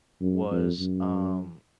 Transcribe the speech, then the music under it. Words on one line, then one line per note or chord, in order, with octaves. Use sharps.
was, um
F#2
F2
F#2